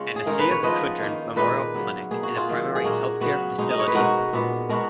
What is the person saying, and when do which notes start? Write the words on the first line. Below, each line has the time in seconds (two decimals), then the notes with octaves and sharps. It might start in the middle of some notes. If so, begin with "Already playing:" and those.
Anesia Kudrin Memorial Clinic is a Primary Health Care facility.
Already playing: C#3 G#3 B3 C#4 F4
0.16 G#4
0.26 D#3 G#3 C#4 A#4
0.39 B4
0.51 C#5
0.63 F3 B3 F4 B4 D#5
0.99 D#3 A#3 D#4
1.36 A#2 G#3 D#4 B4 D#5
1.74 C#3 F#3 B3
2.11 B2 A#3 D#4 G#4
2.23 F#4
2.36 F4 G#4
2.48 D#3 F#3 A#3
2.75 G#4
2.84 A#2 G#3 C#4 F#4 A#4
3.21 C#3 F#3 B3 F#4
3.58 B2 G#3 D#4
3.70 D#5
3.79 C#5
3.87 B4
3.95 B2 G#3 D#4 F#4 A#4
4.33 A#2 G#3 B3
4.69 B2 G#3 B3 F#4 A#4